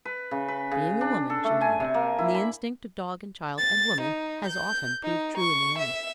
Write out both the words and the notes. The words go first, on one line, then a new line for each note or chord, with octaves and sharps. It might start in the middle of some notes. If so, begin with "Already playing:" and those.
"Being a woman!" she nodded; "and the instinct of dog and child and woman has often proved true in the end."
B4
C#3
B4
C#3
D4
A4
A3
G#5
C3
A#3
E4
B5
A6
D#4
G6
D#4
C#6
E5